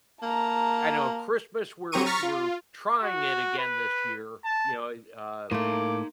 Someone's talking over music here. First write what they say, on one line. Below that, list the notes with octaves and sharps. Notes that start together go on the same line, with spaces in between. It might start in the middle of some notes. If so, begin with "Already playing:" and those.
I know Christmas, we're we're trying it again this year, you know, it, uh
A#3 A5 A#5
F#3 C4 G4 A#5 C#6 D#7
A#5 C#6 F6 A6 B6
F4
F#4
B4
A5
A2 A3 A#3 D#4 C6 D6